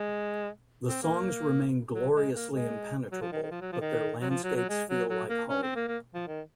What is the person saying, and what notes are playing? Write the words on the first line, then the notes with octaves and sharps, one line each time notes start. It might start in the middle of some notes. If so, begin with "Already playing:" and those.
The songs remain gloriously impenetrable, but their landscapes feel like home.
Already playing: G#3
C4
A#3
F#3
G#3
A#3
G#3
F#3
F3
D#3
D#3
F3
F#3
F3
D#3
F#3
F3
F#3
F#3
G#3
F#3
F#3
A#3
C#4
C4
A#3
A#3
F3
D#3